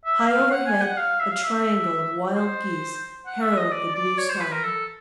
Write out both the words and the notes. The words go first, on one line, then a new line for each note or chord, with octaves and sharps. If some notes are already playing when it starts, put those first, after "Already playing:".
High overhead a triangle of wild geese harrowed the blue sky.
E5
F5
F#5
G#5
F#5
F5
E5
F5
E5
C5
F#5
E5
D#5
D5
D5
C#5
C5
B4
A#4
A4